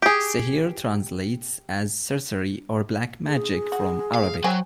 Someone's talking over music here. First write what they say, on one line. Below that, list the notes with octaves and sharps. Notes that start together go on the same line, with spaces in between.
Sihir translates as sorcery or black magic from Arabic.
G4 G#4
G#4
F#4
F5
F#3 C5 G5 G#5